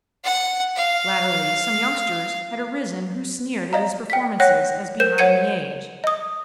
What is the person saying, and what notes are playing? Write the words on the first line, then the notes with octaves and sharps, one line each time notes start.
Latterly some youngsters had arisen who sneered at his performances as behind the age.
F#5
F5
D5 D#5 F5 A#5
G5 B6
C#5 F#5 G5 F#6 A#6
A#4 C5 G6 E7
C#5 F#5 G#6 C#7 D#7
D#5 D#6